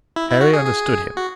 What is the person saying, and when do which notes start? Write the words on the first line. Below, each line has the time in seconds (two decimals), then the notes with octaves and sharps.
Harry understood him.
0.16 E4
0.30 E4
0.41 F#4
0.53 G#4
0.66 G#4
1.17 F#4